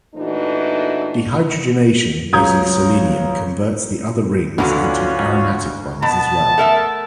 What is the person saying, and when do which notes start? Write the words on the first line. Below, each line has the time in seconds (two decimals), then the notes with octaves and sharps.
Dehydrogenation using selenium converts the other rings into aromatic ones as well.
0.15 A#2 E3 A3 D4 D#4 F#4
2.33 C#2 F#3 A#5 D#6 G6 G#6
4.58 D2 D3 E3 F#3 C#4 F4 F#4
6.03 B2 B3 A5 B5
6.58 A3 A#4 E5